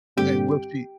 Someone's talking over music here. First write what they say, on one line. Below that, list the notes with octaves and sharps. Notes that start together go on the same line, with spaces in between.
and will she m
G2 D3 G3 C4 G4